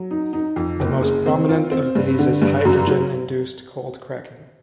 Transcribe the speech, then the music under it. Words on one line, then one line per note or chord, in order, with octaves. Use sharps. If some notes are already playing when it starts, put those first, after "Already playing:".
The most prominent of these is hydrogen induced cold cracking.
Already playing: F#3
D#4
D#4
F2
F#1
C#3
C4
F4
C4
G2
D3
G2
F#2
F#3